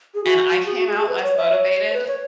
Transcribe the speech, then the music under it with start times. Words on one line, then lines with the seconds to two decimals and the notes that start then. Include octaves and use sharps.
and I came out less motivated
0.14 G#4
0.24 F#4
0.66 G#4
0.77 F#4
0.87 G#4
1.01 G#4
1.08 B4
1.23 C#5
1.37 E5
1.51 C#5
1.93 B4
2.07 C#5